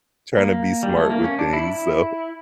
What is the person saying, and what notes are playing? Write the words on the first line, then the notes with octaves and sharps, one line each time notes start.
tryna be smart with things. So
A#3
G3
A3
A#3
C#4
D4
E4
E4